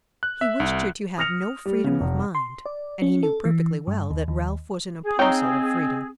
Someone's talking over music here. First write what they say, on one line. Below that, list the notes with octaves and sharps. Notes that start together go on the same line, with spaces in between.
He wished her to have no freedom of mind, and he knew perfectly well that Ralph was an apostle of freedom.
F#6
E5
C2
D#6 F6 A#6 C#7 F7
G3
C#3 B3
F1
C6
D5
C#4
A4
E3
G2
D#2
D#2
G#4
C4 D#4 G#4 C#5 F5 G5